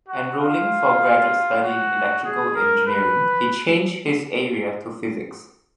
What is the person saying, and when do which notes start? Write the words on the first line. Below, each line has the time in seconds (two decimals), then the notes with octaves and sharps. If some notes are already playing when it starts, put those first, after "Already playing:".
Enrolling for graduate study in electrical engineering, he changed his area to physics.
0.08 F#4
0.39 F4
1.63 F#4
2.24 G#4
2.55 A#4
2.87 B4